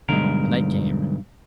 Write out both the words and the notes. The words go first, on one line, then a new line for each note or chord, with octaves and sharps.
The night came.
B1 G2 D3 G#3 A#4